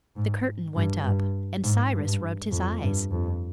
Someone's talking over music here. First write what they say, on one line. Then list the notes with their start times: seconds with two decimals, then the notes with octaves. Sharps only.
The curtain went up and Cyrus rubbed his eyes.
0.16 G#2
0.75 G2
1.04 G2
1.64 G#2
1.93 G2
2.51 F2
2.81 G2
3.11 F2